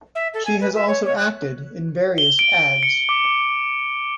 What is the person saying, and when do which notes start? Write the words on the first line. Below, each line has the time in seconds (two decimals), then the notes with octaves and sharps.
She has also acted in various ads.
0.15 E5
0.33 A4
0.45 G#5
0.60 B4
0.74 E5
0.87 C#5
1.05 C#5
1.16 F#6
2.18 G7
2.39 D7
2.83 C#7
3.09 D6